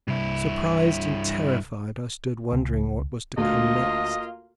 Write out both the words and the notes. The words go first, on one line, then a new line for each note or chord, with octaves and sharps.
Surprised and terrified, I stood wondering what was to come next.
C2 G2 E4
C#2
D2 A#3 F4 D#5